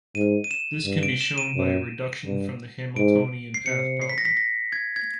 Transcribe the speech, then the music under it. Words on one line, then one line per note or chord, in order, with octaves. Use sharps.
This can be shown by a reduction from the Hamiltonian path problem.
G#2 D#7
D#7
E7
G2
D7
E7
D#7
F#2
G2
G#2 D7
C7
C3 C#7
C7
B6
A#6
B6
A#6
G#6
G#6